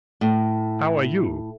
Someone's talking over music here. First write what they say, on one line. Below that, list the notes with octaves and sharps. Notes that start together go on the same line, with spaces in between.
How are you!
A2